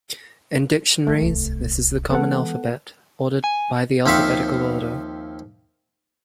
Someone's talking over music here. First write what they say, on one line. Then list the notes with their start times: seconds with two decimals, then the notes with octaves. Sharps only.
In dictionaries, this is the common alphabet, ordered by the alphabetical order.
1.07 F3 G#3 A3
1.22 D1 C2
2.10 E3 G#3 B3 A4 F#5
3.44 G#5
4.06 D#2 F3 C4 E5 F5 C#6